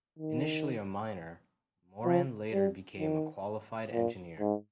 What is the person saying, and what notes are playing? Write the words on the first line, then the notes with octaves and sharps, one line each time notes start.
Initially a miner, Moran later became a qualified engineer.
D#3
F3
G3
D#3
A#2
G#2